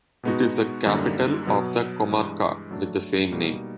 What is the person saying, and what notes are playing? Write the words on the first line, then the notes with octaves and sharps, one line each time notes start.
It is the capital of the comarca with the same name.
B2 G#3 B3 D#4 F#4
F#2 D3 G3 A#3 D#4
B2 F#3 B3
G2 E3 G#3
F#3 A3 D4
B2 G3 A#3 D#4